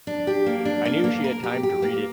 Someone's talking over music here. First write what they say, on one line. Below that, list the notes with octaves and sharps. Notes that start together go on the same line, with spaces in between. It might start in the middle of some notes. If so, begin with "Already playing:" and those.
I knew she had time to read it.
D4
G4
A#3
D4
A#3
A#3
A#4
G4
G4
A#3